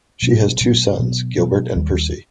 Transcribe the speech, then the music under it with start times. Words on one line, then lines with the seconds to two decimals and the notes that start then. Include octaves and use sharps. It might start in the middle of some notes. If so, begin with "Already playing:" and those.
She has two sons, Gilbert and Percy.
0.22 B2 F#3 B3
0.61 B2 F#3 B3
0.99 B2 F#3 B3
1.38 B2 F#3 B3
1.76 D#2 D#3 G3